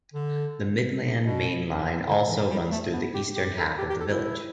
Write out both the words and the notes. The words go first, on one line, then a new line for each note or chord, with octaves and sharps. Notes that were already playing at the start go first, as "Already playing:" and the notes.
The Midland Main Line also runs through the eastern half of the village.
D3
B2
D3
E3
G3
A3
B3
G4
G4
A4
G4
G4
A4
E4